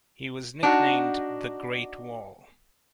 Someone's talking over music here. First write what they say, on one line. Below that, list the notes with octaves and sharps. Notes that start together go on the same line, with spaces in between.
He was nicknamed "The Great Wall".
D4 D#4 F#4